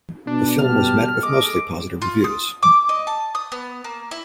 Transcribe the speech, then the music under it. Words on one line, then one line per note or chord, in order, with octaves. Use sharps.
The film was met with mostly positive reviews.
B2 D4
G3 G4 A5 F6
G#3 A4 D#5 D6
F4
D#6
D6
D#5
A5
D#6
B3
A#3
E4